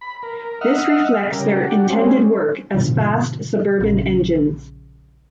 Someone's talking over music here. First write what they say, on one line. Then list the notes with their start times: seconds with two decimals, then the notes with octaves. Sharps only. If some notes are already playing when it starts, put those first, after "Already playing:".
This reflects their intended work as fast suburban engines.
0.01 B5
0.23 A#4
0.61 D#5 E5 F#5 F6
1.32 C#3 G3 A#4
1.52 D4 F#4 G4
1.90 G3 G#3 C4 C#4
2.74 G#2 B2 D3 F3
3.80 A#1 C#3